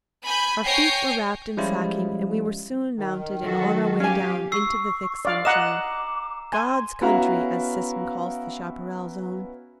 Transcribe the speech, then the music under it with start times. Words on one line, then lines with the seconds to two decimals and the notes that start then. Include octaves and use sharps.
Our feet were wrapped in sacking, and we were soon mounted and on our way down into the thick sunshine--"God's Country," as Sisson calls the Chaparral Zone.
0.23 G#5 B5 G6
0.65 C#5 G5 G#5 G6 A#6 C7
1.57 F3 G3 G#3 C#4 E4 F4
2.97 D#3
3.42 F#3 F#4 A4
4.00 C#4 G4 F5 G#5
4.52 C#6 E6 C7
5.25 D5 F5
5.45 D#5 F#5 A#5 D6 E7
6.53 G#5 C6
7.01 B3 C#4 E4 F#4 F5 A#5